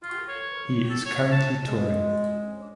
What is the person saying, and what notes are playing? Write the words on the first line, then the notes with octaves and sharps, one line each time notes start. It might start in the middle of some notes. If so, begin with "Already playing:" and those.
He is currently touring.
F4
C#5
A4
C#5
A5
G#3